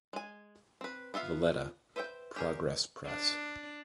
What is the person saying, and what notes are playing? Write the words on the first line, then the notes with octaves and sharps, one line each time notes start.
Valletta: Progress Press.
G#3 G#5
C4 B4
B3 F4 E5 F5
B4 C5 E5 F#5 G5
G4 G#4 A#4
D4